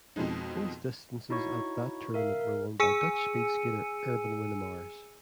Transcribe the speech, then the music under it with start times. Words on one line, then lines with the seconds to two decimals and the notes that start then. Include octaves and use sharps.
Both distances at that tournament were won by Dutch speed skater Erben Wennemars.
0.16 F2 B2 F3 G#3 D#4
1.30 D#4 E4 F#4 C#5 C#6
2.14 A#4 E5 F5
2.41 A#4
2.80 G#4 G#5 E6 C#7 D#7